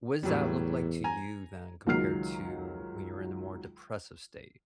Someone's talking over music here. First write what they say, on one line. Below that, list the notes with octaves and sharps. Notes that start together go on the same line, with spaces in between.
what does that look like to you then compared to when you're in a more depressive state?
E2 A2 F#3 G3
G#5 A#5
C#2 D#3 F#3 F6 C7